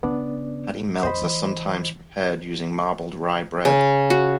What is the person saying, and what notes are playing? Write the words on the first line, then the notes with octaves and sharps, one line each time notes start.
Patty melts are sometimes prepared using marbled rye bread.
C#3 B3 D4 D5
F2 C5 D#5 B5
E3
C#3
F#4